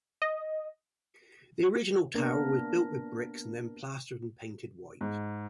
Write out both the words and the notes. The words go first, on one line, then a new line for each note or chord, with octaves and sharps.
The original tower was built with bricks and then plastered and painted white.
D#5
A#3 B3 D4 A#4
G#2